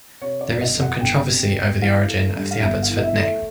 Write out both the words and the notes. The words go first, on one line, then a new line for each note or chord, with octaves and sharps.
There is some controversy over the origin of the Abbotsford name.
C3 C#5
D5
G1
D#5
F2
F#5
G1 G5
C3
G1
E3 F5
A3
G2
F5
G1 E5
F5
E3
D#5
E5
A3
E5